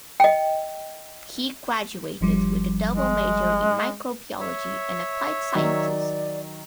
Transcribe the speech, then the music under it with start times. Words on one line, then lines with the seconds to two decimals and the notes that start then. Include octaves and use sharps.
He graduated with a double major in microbiology and applied sciences.
0.20 D#5 G5
2.21 G1 F3 G3
2.90 G#3
4.40 C#5 E5
5.55 D#3 F#3 D5